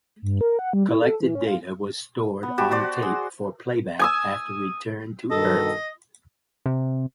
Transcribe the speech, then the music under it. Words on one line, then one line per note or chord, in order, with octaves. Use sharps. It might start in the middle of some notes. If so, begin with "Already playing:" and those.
Collected data was stored on tape for playback after return to Earth.
G2
A#4
F#5
G3
E4
A4
E3
C#4
F4
B3
F#4 G4 A5
F#4 C5 D5
G#4 C6
G#5 D#6 E6
G2 B2 D#3 A4 D#5
C3